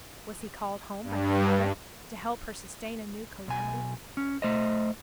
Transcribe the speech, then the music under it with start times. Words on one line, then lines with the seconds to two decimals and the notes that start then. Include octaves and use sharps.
Was he called home by his mother to help her sustain a new calamity?
1.03 G2
3.48 B1 G#5
4.17 C#4
4.42 A3 C5 D#5